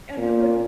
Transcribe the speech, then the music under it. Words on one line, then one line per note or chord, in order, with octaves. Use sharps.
And when
A#2